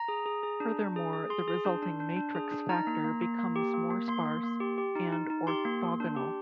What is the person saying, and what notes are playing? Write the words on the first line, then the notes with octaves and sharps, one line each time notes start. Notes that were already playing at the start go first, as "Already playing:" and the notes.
Furthermore, the resulting matrix factor becomes more sparse and orthogonal.
Already playing: A#5
G#4
G#4
G#4
D4
D4
G#4
G#4
G#4 C6
G#4
D4
D4
D4
D4
G#4
D4
D#4 A#5
A#3
A#3
A#3
A#3
G4
A#3
A#3
A#3 C6
A#3
A#3
G4
G4
D#4
D#4
D#4
G4 C6
A#3
A#3
D4
G4